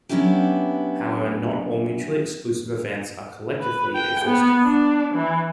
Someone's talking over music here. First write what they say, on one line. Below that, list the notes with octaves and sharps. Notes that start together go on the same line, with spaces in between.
However, not all mutually exclusive events are collectively exhaustive.
F#3 B3 C#4 D4 E4 G4
B4
G5
B3
D4
E3